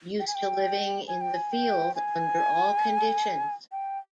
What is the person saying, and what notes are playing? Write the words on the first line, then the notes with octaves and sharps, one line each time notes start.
Used to living in the field under all conditions.
G5
G#5
G5
G#5
G5
G#5
G5
G#5
G5